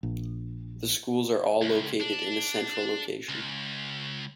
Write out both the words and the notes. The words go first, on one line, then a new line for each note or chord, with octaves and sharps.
The schools are all located in a central location.
A#1
C#2
D4
C#2